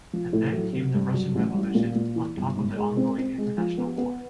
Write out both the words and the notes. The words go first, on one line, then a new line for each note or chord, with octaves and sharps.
And then came the Russian Revolution, on top of the ongoing international War.
F3
A2
F#3
C3
G2
F#3
A1
G3
A#2
A#2
E3
G1
G#2
G#3
C4
C4
G#3
F3
B3
B3